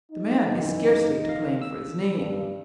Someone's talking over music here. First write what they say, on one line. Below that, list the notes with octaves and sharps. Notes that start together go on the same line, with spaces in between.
The man is scarcely to blame for his name.'
D#4
F#2 B2 E3
F5 A#6
E6
G2